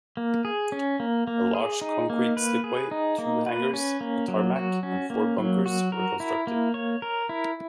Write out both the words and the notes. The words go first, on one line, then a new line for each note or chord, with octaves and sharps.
A large concrete slipway, two hangars, a tarmac and four bunkers were constructed.
A#3
G#4
C#4
A#3
A#3
G#4
D#4
A#3
B4
G#4
D#4
A#3
B4
C#4
A#3
F#3
F#4
C#4
A#3
F#3
F#4
A#4
E4
A#3
C#5
A#4
E4